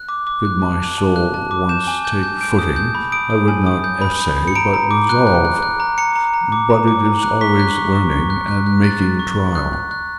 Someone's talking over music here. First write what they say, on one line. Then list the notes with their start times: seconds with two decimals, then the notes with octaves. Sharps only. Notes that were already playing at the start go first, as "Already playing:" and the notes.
Could my soul once take footing, I would not essay but resolve: but it is always learning and making trial.
Already playing: F#6
0.09 D6
0.27 D6
0.45 F#6
0.62 A5
0.80 F#6
0.98 A5
1.16 F#6
1.34 A5
1.51 D6
1.69 G6 E7
1.88 G#5
2.05 G6
2.23 G6
2.41 G6 D7
2.59 D#6
2.76 G6
2.95 B5
3.12 D#6 D7
3.30 D#6
3.48 G#5
3.66 D#6
3.84 G6
4.01 B5
4.20 B5
4.37 B5
4.48 C#7
4.55 A#5 D7
4.74 A#5
4.91 D6
5.09 F#6
5.27 F#6
5.45 F#6
5.63 F#6
5.80 A#5
5.98 A#5 C#7
6.16 A#5
6.34 A#5
6.52 D6
6.70 A#5
6.88 D6
7.05 A#5
7.23 F#6
7.41 C#6 B6
7.60 F#6
7.77 C#6
7.95 C#6
8.12 C#6
8.30 F#6
8.48 F#6
8.66 F#6
8.84 F#6 A6
9.02 F#6
9.19 C#6
9.38 C#6
9.55 F#6
9.73 F#6
9.91 F#6